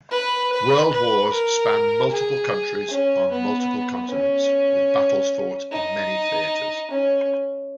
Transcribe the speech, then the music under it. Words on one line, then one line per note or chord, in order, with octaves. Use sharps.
World wars span multiple countries on multiple continents, with battles fought in many theaters.
B4
B4
B4
A#4
G#4
C#4
B3
C#4
D#4
C#4